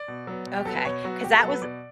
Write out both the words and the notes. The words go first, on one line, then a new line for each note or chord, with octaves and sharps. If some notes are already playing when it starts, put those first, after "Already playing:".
Okay, 'cause that was
Already playing: D5
B2
F#3 B3
B2
G4
F#3 B3 A4
B4
B2 C#5
F#3 B3 F#4
B2 G4
A4
F#3 B3
B4
B2 D5